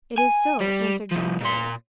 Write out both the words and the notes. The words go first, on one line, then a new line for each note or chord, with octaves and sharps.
"It is so," answered John Ferrier.
G#5
G3
C2 F3
A#2 C6